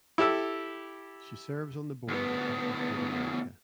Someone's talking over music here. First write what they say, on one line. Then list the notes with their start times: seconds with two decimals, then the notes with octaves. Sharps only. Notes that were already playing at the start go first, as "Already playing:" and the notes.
She serves on the board of Healthy Food America.
0.18 E4 G4 A4 E6
2.08 D2 B3